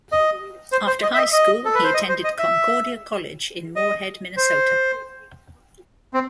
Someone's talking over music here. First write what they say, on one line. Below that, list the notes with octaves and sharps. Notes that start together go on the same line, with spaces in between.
After high school he attended Concordia College in Moorhead, Minnesota.
D#5
C5
C5
D#5
E5
D#5
D#5
A4
B4
C5
D#5
C5
D#5
E5
D#5
C5
C4